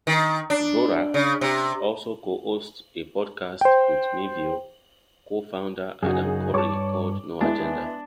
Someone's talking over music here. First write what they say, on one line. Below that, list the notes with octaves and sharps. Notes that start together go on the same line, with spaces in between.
Dvorak also co-hosts a podcast with Mevio co-founder Adam Curry called "No Agenda".
D#3
D4
C#3
C3
C5 G5
F#2 C#3 D#4 F#4 G#4
G2 C#5 A5 C#6 D6
G#3 B3 D4 E4